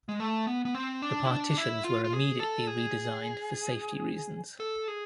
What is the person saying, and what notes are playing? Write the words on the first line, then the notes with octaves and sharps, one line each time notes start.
The partitions were immediately re-designed for safety reasons.
G#3
A3
B3
B3
C4
D4
E4
D4
E4
F4
F4
G#4
A4
G#4
A4
G#4